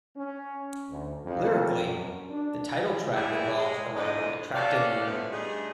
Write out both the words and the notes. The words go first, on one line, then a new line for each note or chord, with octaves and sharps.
Lyrically, the title track revolves around an attractive woman.
C#4
D2
F2
F#2
D4
E3 G3 G#3 E4 G4 G#4
G#3
E2 D3 F3 D5 D#5
C#4 F#4 G4 A4 D5 F5
G2 D3 F3 A3 B3
G2 A3 D4 D#4 G#4